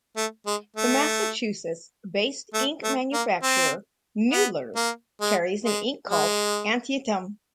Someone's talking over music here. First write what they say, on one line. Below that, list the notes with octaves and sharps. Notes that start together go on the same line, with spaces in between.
The Massachusetts based ink manufacturer Noodler's carries an ink called Antietam.
A3
G#3
A3
A3
A3
A#3
C4
B3
A#3
G#3
G#3
G#3